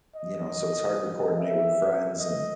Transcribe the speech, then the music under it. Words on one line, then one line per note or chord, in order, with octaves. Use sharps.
you know, so it's hard to coordinate with friends and,
D#5
E5
D#5